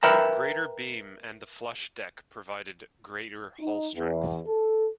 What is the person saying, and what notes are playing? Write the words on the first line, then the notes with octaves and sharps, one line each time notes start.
Greater beam and the flush deck provided greater hull strength.
A#4 B4 E5 G5 A5 A#5
D#4
E2
A4